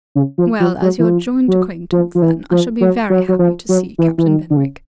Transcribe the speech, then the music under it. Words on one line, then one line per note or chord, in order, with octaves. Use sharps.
"Well, as your joint acquaintance, then, I shall be very happy to see Captain Benwick."
C#3
F3
F3
F#3
E3
F3
F#3
F3
F3
E3
F3
F#3
F#3
F#3
F3
F#3
E3
E3
D#3
D3
C#3